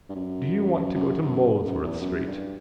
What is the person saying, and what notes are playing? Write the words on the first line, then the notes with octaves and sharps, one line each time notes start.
Do you want to go to Molesworth street?
G2
F#2
F#2
F#2
F#2
E2
F#2
G2